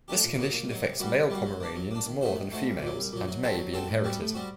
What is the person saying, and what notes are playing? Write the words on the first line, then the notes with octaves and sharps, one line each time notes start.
This condition affects male Pomeranians more than females, and may be inherited.
D3 A3 D4 G4
A#2
F#3 A#3 D#4
A#2
F#3 A#3 D#4
C3
G3 A#3 F#4
C3
G3 A#3 F#4
F#3
A#3 D4
F#3
A#3 D4
D#3
A3 D#4 F#4 C5
D#3
A3 D#4 F#4 C5
C2
A#2 F#3
C2
A#2 F#3
F#3
C4 F#4 A4 C5
F#3
C4 F#4 A4 C5
A2
G3 C4 F#4
A2
G3 C4 F#4